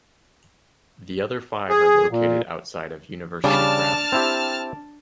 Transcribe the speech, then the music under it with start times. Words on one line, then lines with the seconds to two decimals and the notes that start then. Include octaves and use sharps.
The other five are located outside of university grounds.
1.69 G#4
2.11 A#2
3.44 C#3 G3 D4 A5 F6
4.12 C4 E4 G4